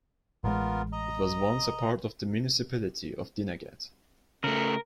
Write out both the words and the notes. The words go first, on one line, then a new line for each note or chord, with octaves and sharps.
It was once a part of the municipality of Dinagat.
A1 G#3 B3 F4 A#4
D#5 A#5
C#3 A3 A#4